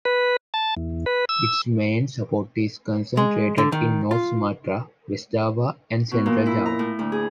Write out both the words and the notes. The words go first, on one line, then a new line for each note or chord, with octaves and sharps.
Its main support is concentrated in North Sumatra, West Java and Central Java.
B4
A5
E2
B4
E6
G#3
D3
D#3
F4
B2
A#2
E4
A#5
A2
D2
G#4